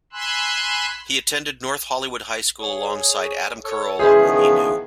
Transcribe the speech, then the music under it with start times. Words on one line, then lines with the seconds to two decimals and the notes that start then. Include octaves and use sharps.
He attended North Hollywood High School alongside Adam Carolla, whom he knew.
0.13 G#5 B5 C6 E6 F#6
2.58 G#4 C#5
3.64 A4 C#5
3.99 C#3 E3 G#3 E4 G#4 C5
4.20 D#3 F3 B3